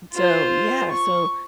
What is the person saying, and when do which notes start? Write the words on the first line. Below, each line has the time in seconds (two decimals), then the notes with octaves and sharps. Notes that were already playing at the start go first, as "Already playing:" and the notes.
And so, yeah. So,
0.14 F4 C5
0.91 C#6